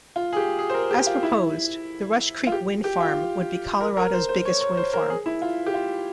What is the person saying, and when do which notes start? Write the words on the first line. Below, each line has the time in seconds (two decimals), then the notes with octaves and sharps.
As proposed, the Rush Creek wind farm would be Colorado's biggest wind farm.
0.16 F4
0.33 G#4
0.37 G4
0.59 G#4
0.70 C5
0.74 A#4
0.91 G4
1.07 F4
1.23 E4
2.47 F4
2.52 G4
2.84 G4
3.00 F4
3.81 A#4
3.97 A#4
4.13 C5
4.29 C5
4.45 C#5
4.61 C#5
4.77 C5
4.93 A#4
5.10 G#4
5.26 E4
5.42 F4
5.66 G4
5.74 F4